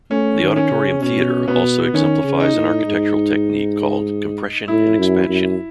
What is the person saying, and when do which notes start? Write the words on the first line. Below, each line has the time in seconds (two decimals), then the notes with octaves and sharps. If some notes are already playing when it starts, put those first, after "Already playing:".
The Auditorium Theatre also exemplifies an architectural technique called "compression and expansion".
0.11 A3 C#4
0.41 D#3
0.56 C#4
0.71 C#3
1.02 B2 C#4
1.48 B2 B3
1.93 D#3 C#4
2.24 C#3
2.40 D#4
2.55 A2
2.86 G#2
4.68 A2 E4
4.99 F#2
5.29 F#2